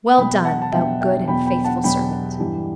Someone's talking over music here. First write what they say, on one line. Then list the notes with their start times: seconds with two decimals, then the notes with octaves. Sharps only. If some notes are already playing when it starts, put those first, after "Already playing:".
Well done, thou good and faithful servant!
0.18 B2 F#3 G5 B5
0.45 F#5 A5
0.62 A5
0.72 B2 F#3 E5 G5
1.01 E5 G5
1.28 E2 B2 F#3 G5 B5
1.46 G5 B5
1.65 F#5 A5
1.84 E2 B2 F#3 G5 B5
2.39 G2 E3 G3